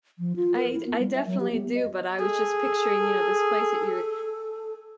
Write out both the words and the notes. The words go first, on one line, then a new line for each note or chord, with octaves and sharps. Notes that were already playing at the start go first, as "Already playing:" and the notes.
I d I definitely do, but I was just picturing, you know, this place that you're,
F3
F4
A#4
E4
B3
G3
E5
F#3
G4
B3
D#5
G#4 A4